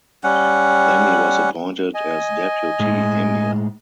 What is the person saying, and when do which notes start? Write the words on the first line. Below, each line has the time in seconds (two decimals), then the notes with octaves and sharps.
Then he was appointed as Deputy Emir.
0.24 G3 C#4 F#5
1.94 D#5 G#5
2.80 A2 G#3